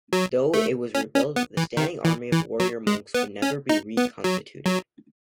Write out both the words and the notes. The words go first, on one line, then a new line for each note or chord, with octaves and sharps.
Though it was rebuilt, the standing army of warrior monks would never be reconstituted.
F#3
A3
C#4
C#4
B3
E3
D#3
E3
E3
F#3
G#3
B3
C#4
D#4
B3
F#3
F#3